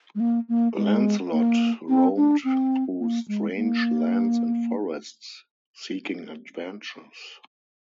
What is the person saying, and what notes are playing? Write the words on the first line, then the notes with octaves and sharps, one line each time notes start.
Lancelot roamed through strange lands and forests seeking adventures.
G#3
A#3
A#3
G#3
A#3
C4
D4
C4
A#3
G#3
A#3